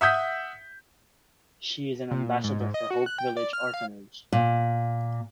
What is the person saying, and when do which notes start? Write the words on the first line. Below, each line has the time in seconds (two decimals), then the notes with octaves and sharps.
She is an ambassador for Hope Village Orphanage.
0.01 E5 F#5 D#6 E6 G6 B6
2.11 C3
2.24 A#2
2.44 G#2
2.60 G#2
2.74 D#5
2.91 F#4
3.06 F#6
3.18 G5
3.37 D5
3.53 F6
3.74 F5
4.32 A#2